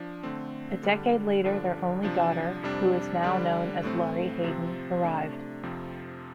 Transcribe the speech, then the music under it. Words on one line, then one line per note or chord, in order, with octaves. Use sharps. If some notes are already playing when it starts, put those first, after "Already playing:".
A decade later their only daughter, who is now known as Laurie Hayden, arrived.
Already playing: F3 D4
D3 A3 C4
D3 G3 D4
G2 D3 F3 D4
C3 F3 D4
F2 C3 G3 D4
D3 G3 D4
A2 A3 C4
C3 F3 C4
C3 A3 D4
F2 C3 F3 C4